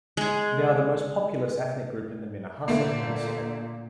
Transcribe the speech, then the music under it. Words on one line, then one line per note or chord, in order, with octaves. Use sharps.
They are the most populous ethnic group in the Minahassa Peninsula.
G#3 G#4
A#2 D3 A3 A#3